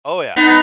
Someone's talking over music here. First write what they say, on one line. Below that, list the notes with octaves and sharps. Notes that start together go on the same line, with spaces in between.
Oh yeah,
B3 D#4